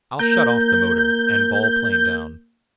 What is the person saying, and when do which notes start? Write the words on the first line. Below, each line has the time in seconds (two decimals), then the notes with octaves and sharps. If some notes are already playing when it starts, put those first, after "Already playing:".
"I'll shut off the motor, and vol-plane down."
0.19 A#3 A#4 G6